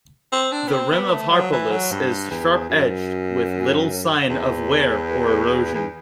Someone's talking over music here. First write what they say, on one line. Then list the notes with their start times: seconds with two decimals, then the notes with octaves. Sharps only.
The rim of Harpalus is sharp-edged with little sign of wear or erosion.
0.32 C4
0.52 D4
0.68 B3
0.73 C4
0.92 B3
1.11 A3
1.31 F#3
1.52 E3
1.71 F#3
1.91 G2
2.31 E2
2.70 F#2
4.29 E2
5.74 E2